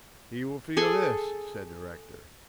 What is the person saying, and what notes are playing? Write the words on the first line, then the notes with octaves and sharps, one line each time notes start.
"He will feel this," said the rector.
G#4 A4 G#5